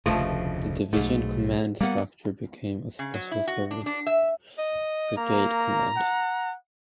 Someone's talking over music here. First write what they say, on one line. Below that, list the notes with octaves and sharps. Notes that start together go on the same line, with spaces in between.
The Division command structure became a Special Service Brigade command.
F1 D2 C#3 F3 A3 D#5
B1 G#2 A3
G3 A#3 B3 F#5
C#3
F#3
E4
F#4
D4
D4
E5
D#5
A#3 A#5
F#5